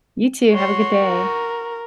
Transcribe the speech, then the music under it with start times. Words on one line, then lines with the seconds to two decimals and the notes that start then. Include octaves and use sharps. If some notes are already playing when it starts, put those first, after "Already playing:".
You too, have a good day.
0.52 F#4 C#5 C6
1.02 A#4